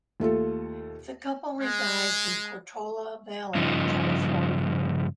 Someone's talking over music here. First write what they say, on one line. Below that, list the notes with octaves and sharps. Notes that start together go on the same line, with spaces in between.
The couple resides in Portola Valley, California.
D#2 A3 F4 A4
G#3
G2 C#3 F3 D#4